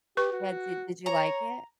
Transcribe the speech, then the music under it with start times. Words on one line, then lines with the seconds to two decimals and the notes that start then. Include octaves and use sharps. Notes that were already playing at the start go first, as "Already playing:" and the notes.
Yeah, did did you like it?
0.17 G4 B4 C#6
0.32 F#4
1.06 C#5 A#5